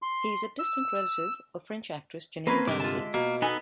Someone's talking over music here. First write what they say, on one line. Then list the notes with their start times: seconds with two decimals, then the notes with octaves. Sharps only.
He is a distant relative of French actress Janine Darcey.
0.02 C6
0.59 E6
2.47 A#3 C4 C#4 A#4 B4
2.68 C2 G2 D3 G#3 E5 D6
2.80 F4 A5
3.14 B2 A#3
3.42 B3 D#4 A4 G#5